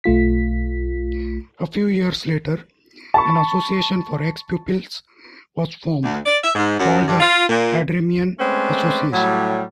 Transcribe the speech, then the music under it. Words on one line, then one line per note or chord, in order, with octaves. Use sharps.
A few years later, an association for ex-pupils was formed, called the Adremian Association.
B1 A3 F4 B6
A5 B5 C#6
D2
D5
E5
G#2
F#2
G2
F4
A#2
G#3 A3 C4 C#4 B4 D5
A2 F#3 G3